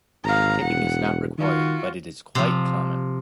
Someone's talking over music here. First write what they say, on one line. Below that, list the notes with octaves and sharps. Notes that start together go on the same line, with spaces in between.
Tipping is not required, but is quite common.
G#1 F5 A#5
E1 F#5
D#3 F4 F#4
C3 F3